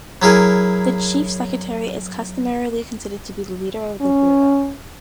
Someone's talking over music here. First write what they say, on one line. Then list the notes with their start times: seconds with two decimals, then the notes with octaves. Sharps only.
The Chief Secretary is customarily considered to be the leader of the bureaux.
0.22 F#3 E4 G#4 A#4
4.01 C#4